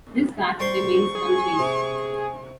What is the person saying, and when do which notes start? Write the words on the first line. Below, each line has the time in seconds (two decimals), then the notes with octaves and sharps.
This fact remains unchanged.
0.60 G3 C5 C6 C#6
1.15 G#4
1.59 C3